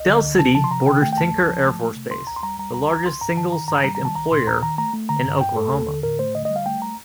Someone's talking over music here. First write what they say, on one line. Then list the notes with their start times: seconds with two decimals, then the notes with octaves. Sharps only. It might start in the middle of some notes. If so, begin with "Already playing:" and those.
Del City borders Tinker Air Force Base, the largest single-site employer in Oklahoma.
Already playing: C2 D#5
0.08 D3
0.24 D2
0.39 C3 A5
0.55 F3 A5
0.64 C6
0.71 C3 A#5
0.86 D#3 G5
1.02 A3 G5
1.13 G5
1.17 F2 A5
1.33 C2
1.49 F3
1.65 A3
1.81 A3
1.96 C3
2.11 C2 C6
2.27 D#2 A#5
2.36 C6
2.43 G3 A#5
2.58 G3 A#5
2.74 D#2 A#5
2.90 C2 A#5
3.06 C2 C6
3.21 G2 A#5
3.37 D#3 A5
3.52 D#3 A#5
3.68 G2 A#5
3.84 G3 A#5
3.95 A#5
4.00 D#3
4.05 A5
4.15 C2 A#5
4.31 A#2 C6
4.47 D#2 A#5
4.63 D#3 A#5
4.78 A3 A#5
4.94 A3
5.09 D3 A#5
5.26 G2
5.41 G2 G5
5.56 A3 A4
5.72 D#2
5.88 D3
6.03 A2 A#4
6.19 A3 C5
6.35 D3 D#5
6.45 D#5
6.50 G3
6.56 F5
6.66 A3 G5
6.82 A#5